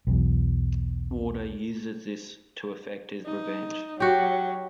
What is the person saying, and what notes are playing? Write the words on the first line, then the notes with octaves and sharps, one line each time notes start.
Waldo uses this to effect his revenge.
B1 E2
D#4
F#3 F#4 G4